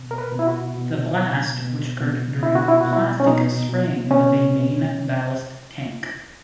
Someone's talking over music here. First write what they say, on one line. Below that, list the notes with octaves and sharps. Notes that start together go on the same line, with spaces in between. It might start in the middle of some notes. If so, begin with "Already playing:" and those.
The blast, which occurred during plastic spraying of a main ballast tank.
Already playing: B2
A#4
B4
B2
E4
F#4
B2
B2
B2
B2
B2 E4
F#4
E4
B2 F#4
E4
C#4
B2 D#4
B2
B2 C#4
B2